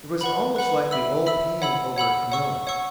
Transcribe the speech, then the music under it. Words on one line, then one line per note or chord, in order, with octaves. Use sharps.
It was almost like the old pang over Camilla.
B4 F#5 B5
B4 F#5 B5
E5 B5 E6
E5 B5 E6
C#5 F#5 B5 E6
C#5 F#5 B5 E6
C#5 F#5 C#6 E6
C#5 F#5 C#6 E6